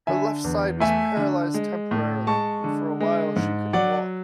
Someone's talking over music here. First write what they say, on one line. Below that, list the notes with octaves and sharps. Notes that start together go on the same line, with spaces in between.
Her left side was paralyzed temporarily, and for a while she couldn't walk.
D3 E5 G#5
E2
A3 E5 G#5
D3
G#3
A2
G#3 A5 C#6
D3
G#3
G#2
F#3 D5 F#5